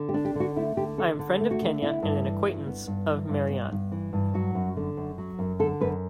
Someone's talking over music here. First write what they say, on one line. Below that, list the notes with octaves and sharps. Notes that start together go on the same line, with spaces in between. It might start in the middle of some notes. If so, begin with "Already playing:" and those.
I am friend of Kenya and an acquaintance of Marianne.
Already playing: D3
G4
D4
G4
D3 F#4
A3 E4
D3 G4
D4 A4
D3
A3
F#4
D3
B3 E4
G2
E3
G2
B3
G2
E3
G2
B3
G2
E3
G2
F#3 F#4
F#2
D3
F#2
F#3
F#2
D3 A4
F#2 B4